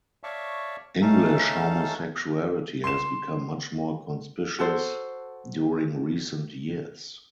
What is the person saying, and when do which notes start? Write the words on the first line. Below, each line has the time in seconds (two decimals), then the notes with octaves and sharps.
English homosexuality has become much more conspicuous during recent years.
0.24 C#5 D5 E5 F5 A5 C#6
1.01 A3 C#4 D#4 A4 F5 A5
2.84 C6 E7
4.59 F#4 A4 C5